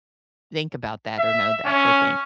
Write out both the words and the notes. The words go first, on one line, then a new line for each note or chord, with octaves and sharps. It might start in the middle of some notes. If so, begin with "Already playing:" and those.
think about that or know that. They think,
E5
C#4